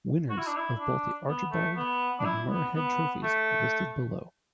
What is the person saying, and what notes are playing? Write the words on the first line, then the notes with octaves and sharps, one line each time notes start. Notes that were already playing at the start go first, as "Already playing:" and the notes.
Winners of both the Archibald and Muirhead trophies are listed below.
F#4
E4
D4
E4
D4
B3
A3
B3
D4
E4
B3
B3
A3